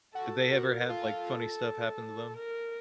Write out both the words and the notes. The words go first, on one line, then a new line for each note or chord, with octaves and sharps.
Did they ever have, like, funny stuff happen to them?
F#4 A4
F#4 A#4
F4 A4
A#4